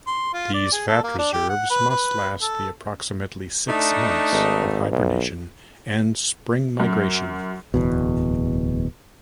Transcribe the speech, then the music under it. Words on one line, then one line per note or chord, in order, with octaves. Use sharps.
These fat reserves must last the approximately six months of hibernation and spring migration.
C6
F4
D5
G#4
A4
A#3
D4
G4
F#5
B4
B4
A4
A3 D4 D#4
G#1
B1
F#2
D1 E2 B2